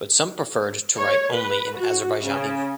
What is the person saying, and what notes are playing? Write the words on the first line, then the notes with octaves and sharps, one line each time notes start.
But some preferred to write only in Azerbaijani.
C#5
B4
F#4
C#3